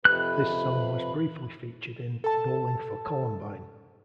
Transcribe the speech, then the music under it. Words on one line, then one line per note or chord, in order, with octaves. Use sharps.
This song was briefly featured in "Bowling for Columbine".
F2 C3 B4 F#6
A4 A5